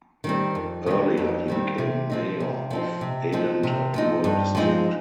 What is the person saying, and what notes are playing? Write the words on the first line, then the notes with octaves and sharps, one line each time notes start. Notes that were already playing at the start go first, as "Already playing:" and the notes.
Earlier he became Mayor of Anantapur district.
D#3 G3 C4
F2
D#3 G3 C4
F2
D#3 G3 C4
C3
F3 C4 D#4
C3
F3 C4 D#4
C3
F3 C4 D#4
C3
F3 C4 D#4
G2
F3 G#3 C4 D#4